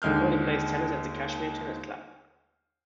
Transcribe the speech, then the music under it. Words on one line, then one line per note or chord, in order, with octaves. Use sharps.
He currently plays tennis at the Cashmere Tennis Club.
D#2 D3 G#3 F6 G6